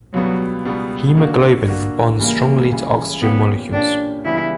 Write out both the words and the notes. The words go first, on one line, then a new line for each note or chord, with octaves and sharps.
Hemoglobin bonds strongly to oxygen molecules.
C#2 B2 F#3 G3 B3
C#2 B2 G3 B3
D3 A#3 D4 F#4
D3 A#3 D4 F#4
C#2 C#3 E3 G3 A#3
C#2 C#3 E3 G3
A#2 A#3 B3 C#4 G4
A#2 A#3 C#4 D4 G4
C#2 C#3 E3 G3 B3 E4